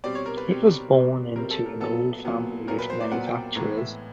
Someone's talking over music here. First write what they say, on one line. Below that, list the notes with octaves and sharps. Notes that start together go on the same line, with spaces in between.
He was born into an old family of manufacturers.
B2 G3 C4 D5
C#5
A#4
B4
B2 G3 C4
B2 G3 C4
B2 G3 C4 A#4
A4
A#4
A#2 F#3 B3 A4
A#2 F#3 B3
A#2 F#3 B3 A#4
B4
C5
D5
A#2 F#3 B3 F#5
G5
A2 E3 G#3 B3 A#5
E5